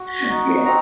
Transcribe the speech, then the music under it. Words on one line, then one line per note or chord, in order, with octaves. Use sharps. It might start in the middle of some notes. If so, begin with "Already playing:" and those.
it. Yeah.
Already playing: F#4
D#4
C4 A#5